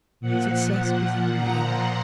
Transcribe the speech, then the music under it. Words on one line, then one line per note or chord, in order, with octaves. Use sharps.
Success was in the air.
A#2 F3 F#5
A#5
C6